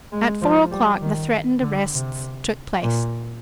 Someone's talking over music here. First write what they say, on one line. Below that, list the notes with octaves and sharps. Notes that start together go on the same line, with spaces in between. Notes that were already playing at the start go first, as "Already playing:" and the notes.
At four o'clock the threatened arrests took place.
G#3
F3
G3
D#3
D3
C3
A#2